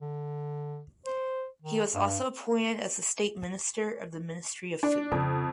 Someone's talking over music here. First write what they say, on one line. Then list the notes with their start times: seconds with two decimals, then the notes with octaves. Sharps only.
He was also appointed as the state minister of the Ministry of Food.
0.02 D3
1.06 C5
1.62 D#3
1.94 G2
4.83 D4
5.12 F2 C#3